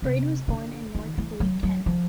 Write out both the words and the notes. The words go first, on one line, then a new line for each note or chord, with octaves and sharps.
Braid was born in Northfleet, Kent.
C3
D3
D#3
E3
F#3
F#3
F3